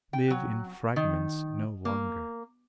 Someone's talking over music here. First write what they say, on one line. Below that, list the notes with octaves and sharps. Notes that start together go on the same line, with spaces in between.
Live in fragments no longer.
G5
F#3
D#3
A#3